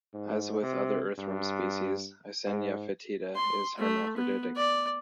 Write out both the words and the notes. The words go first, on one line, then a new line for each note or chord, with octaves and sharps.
As with other earthworm species, "Eisenia fetida" is hermaphroditic.
G#2
C3
G2
G#2
C6
A3
B3
D5